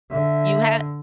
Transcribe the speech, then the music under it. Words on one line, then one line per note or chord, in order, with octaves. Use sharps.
You ha
D3 E5